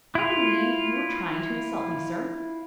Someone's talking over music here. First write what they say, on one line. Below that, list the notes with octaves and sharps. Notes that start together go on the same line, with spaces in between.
"I believe you are trying to insult me, sir."
E4 F4